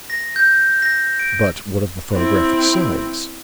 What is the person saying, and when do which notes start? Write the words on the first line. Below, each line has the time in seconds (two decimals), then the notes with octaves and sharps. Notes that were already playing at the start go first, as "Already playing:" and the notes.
"But what of the phonographic signs?"
0.10 A#6
0.36 G6
0.82 A#6
1.19 D7
2.14 C4 E4